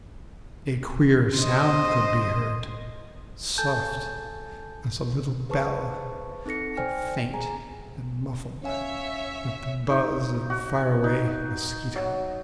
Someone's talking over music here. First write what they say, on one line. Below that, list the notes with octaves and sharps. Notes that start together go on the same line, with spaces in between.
A queer sound could be heard, soft as a little bell, and faint and muffled like the buzz of a far-away mosquito.
C5 D#5
A4 G#5 A5 G6
G#4 B4 C5 A5 C#6
C4 D#4 A4 A#6 C#7
C5 D5 G5 G#5 F6
G#4 G#5 A#5
C#4 C#5 E5 F5 G#5
D#4
F#4
D#4
F#3